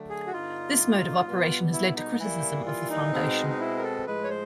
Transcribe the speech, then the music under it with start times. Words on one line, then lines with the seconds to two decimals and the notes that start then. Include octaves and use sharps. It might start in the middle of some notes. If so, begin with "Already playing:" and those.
This mode of operation has led to criticism of the foundation.
Already playing: D3 F#3 A3
0.10 G#4
0.27 F#4
0.32 G2 D3 G3 B3 D#4 F4
1.26 B2 G3 B3
1.73 E4
1.96 D#4
2.19 E3 G3 A#3 E4
2.66 F4
2.90 D#4
3.13 B2 G#3 C4
3.49 D#4
3.60 E4
3.78 A#4
3.83 A4
4.06 A2 F3 G#3 B4
4.24 C#5
4.30 C5